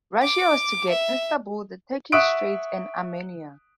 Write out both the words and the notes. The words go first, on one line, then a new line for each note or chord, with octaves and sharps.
Russia was to get Istanbul, the Turkish Straits and Armenia.
D6
E5
E5 F#5 C#6 D#6 F#6 D7